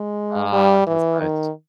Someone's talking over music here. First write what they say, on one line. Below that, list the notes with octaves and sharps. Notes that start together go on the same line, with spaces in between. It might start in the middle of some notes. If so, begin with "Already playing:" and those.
Ah, that's nice.
Already playing: G#3
G3
E3
D#3